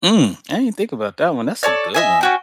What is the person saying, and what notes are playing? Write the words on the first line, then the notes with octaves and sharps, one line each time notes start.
Mm, I didn't think about that one. That's a good one.
A4 C#5 D5
D#5 E5 G#5
C#4 F#4 G5